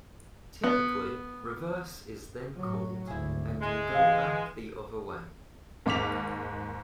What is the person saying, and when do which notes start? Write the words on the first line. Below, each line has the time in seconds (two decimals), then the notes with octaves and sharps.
Typically "reverse" is then called and you go back the other way.
0.64 B3
2.57 A2 F#3
3.07 G#1 D2 E4 G#4
3.60 G#3
3.94 E3 F5 F#5
5.86 D#2 G#2 D6 B6 F7